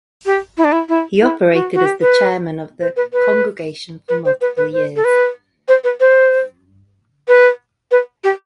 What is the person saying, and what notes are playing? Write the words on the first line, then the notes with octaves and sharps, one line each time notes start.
He operated as the chairman of the congregation for multiple years.
G4
E4
D4
E4
E4
E4
F#4
F#4
G4
B4
C5
B4
B4
B4
C5
B4
B4
C5
A4
B4
C5
B4
C5
B4
B4
G4